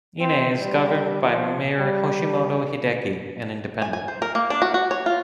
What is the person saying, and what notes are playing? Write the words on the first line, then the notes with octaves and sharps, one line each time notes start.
Ine is governed by mayor Yoshimoto Hideki, an independent.
C4
G3
F3
G3
G#5
G#5
C5
A#4
A#3
D4
F#4
F#4
C#5
F4